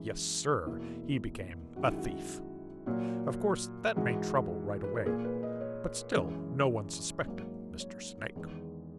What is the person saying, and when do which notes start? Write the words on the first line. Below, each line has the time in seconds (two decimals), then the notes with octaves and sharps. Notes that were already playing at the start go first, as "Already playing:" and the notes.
Yes, Sir, he became a thief. Of course that made trouble right away, but still no one suspected Mr. Snake.
Already playing: F#2 E3 G#3 D#4
0.66 E2 B2 A#3 E4
1.76 F#2 D#3 G#3 F#4
1.87 E4
1.98 F#4
2.86 A#2 F#3 A#3 F#4
3.96 G#2 E3 G#3 F#4
4.84 B4
4.94 A#4
5.05 A#2 A#3 G#4
5.25 B4
5.43 D#5
5.61 C#5
6.16 F#2 E3 G#3
7.25 G#2 F#3 A#3
7.80 C#5
8.36 E2 D#3 G#3